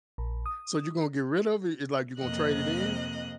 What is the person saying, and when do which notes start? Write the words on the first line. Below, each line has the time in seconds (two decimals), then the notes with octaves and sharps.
So you're gonna get rid of it? It's like you gonna trade it in?
0.18 A#1
0.46 D#6
2.18 F2 C3 A#3 D#5 F#6